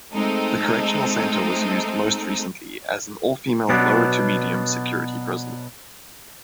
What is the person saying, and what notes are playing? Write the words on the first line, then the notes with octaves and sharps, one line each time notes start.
The correctional centre was used most recently as an all-female low-to-medium security prison.
G#3 A3 C4 D#4 A4
B2 F#3 B3 D4